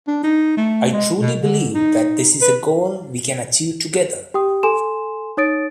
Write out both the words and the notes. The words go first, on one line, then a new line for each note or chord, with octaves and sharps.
I truly believe that this is a goal we can achieve together.
D4
D#4
A3
G#3
B2
D3
D#4
B4
G4 G5 D#6
A4 G#5 C6 E7
D#4 C#5 D#6 A6 D7